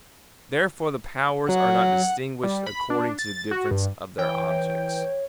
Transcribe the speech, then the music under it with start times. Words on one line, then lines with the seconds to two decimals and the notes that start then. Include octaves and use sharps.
Therefore the powers are not distinguished according to the difference of their objects.
1.49 F#3 F#5
2.43 G3
2.67 B5
2.90 D4
3.19 A6
3.51 F#4
3.71 G2
4.18 E3 C#5 G5